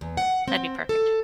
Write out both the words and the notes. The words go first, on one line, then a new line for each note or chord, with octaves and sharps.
That'd be perfect.
E2
F#5
C4
A4